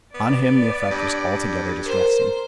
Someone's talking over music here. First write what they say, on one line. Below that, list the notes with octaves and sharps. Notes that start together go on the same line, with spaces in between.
On him the effect was altogether distressing.
B3 D5
G2
A#4 C5